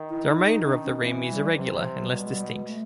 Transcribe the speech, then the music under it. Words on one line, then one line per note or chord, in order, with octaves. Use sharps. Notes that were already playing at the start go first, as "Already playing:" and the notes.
The remainder of the rim is irregular and less distinct.
Already playing: D#3
E4
D#4
D#3 D#4
D4
C#4
E3 C4
G3
C3 F#3
F#3
F3
F#3
B2 G3
G#3
G3
G#3
A3